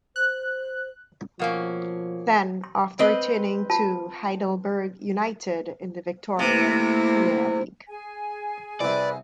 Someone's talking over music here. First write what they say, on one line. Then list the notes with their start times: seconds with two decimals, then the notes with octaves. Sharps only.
Then after returning to Heidelberg United in the Victorian Premier League.
0.16 C5 F#6
1.39 B2 F3 A#3 C#4
2.64 C6
2.99 C4 B4 D#5
3.70 F4 A5
6.39 C3 A3 A#3 E4
7.88 G#4 G#5
8.80 C2 C3 B4 D5